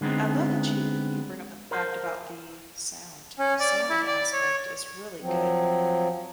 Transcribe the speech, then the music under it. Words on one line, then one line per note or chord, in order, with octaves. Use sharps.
I love that you you bring up the fact about the sound. The sound aspect is really good,
D3 G#3 B3 C4 D#4
A#4 C5
C#4
D5
E4
D5
C#5
F3 F#3 C4